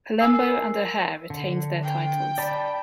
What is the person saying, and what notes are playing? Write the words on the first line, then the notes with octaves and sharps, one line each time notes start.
Palumbo and O'Haire retained their titles.
A#4 G#5 E6 C7
D3
G5
D5 A5 B5